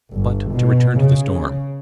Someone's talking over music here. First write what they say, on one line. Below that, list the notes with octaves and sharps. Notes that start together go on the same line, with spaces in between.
But to return to the storm.
G1
B2
C#3